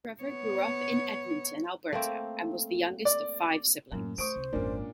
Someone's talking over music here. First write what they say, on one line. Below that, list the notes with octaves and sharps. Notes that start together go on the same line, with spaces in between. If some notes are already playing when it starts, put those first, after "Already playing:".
Trevor grew up in Edmonton, Alberta and was the youngest of five siblings.
B3 C#5
A3 A#3 C4
D5
F#2 A2 A#3
A3 C5 C#6 D#6 D7
C2
G#1 F2 A#2 C#4 D4